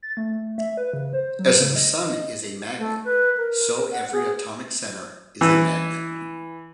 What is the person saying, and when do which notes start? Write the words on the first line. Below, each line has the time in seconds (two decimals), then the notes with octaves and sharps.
As the sun is a magnet, so every atomic center is a magnet.
0.03 A6
0.17 A3
0.58 E5
0.77 B4
0.93 C#3
1.13 C5
1.39 F#3
1.60 C#3
1.76 D#5
2.78 A3
3.05 B4
3.37 A#4
3.91 F#5
4.12 G#4
5.41 E3